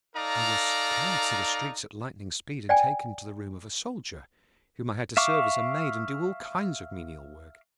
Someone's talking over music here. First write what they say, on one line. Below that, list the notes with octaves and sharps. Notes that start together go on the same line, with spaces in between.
'I was carried through the streets at lightning speed, and taken to the room of a Soldier, whom I had to serve as a maid, and do all kinds of menial work.
D#4 A4 D5 F5 A#5
D5 G5 G#5
E5 F5 C#6 D6